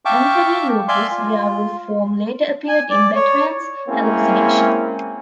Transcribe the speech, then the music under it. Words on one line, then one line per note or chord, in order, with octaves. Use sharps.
Anthony Lupus' werewolf form later appeared in Batman's hallucination.
E5 F5 G5 A5 C#6 D6
D5 E5 F5 G#5 C6
F4
G#5
D5
C#5
G#3 A#3 C4 C#4 E4